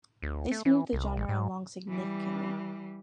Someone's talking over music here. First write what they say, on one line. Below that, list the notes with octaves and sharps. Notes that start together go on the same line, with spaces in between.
This moved the genre along significantly.
D2
A3
E3
C2
A1
G#2
E3 G3